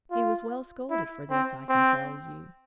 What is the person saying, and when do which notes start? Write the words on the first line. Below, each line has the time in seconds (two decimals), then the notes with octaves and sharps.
He was well scolded for this, I can tell you.
0.11 F4
0.90 E4
1.31 C4
1.69 C4